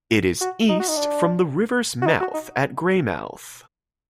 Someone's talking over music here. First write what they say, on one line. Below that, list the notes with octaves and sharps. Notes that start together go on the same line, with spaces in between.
It is east from the river's mouth at Greymouth.
F#4
D#4
F#4
D#4
D4
F#4
D#4
F#4
D#4